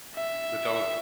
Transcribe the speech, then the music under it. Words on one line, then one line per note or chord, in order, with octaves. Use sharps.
but don
E5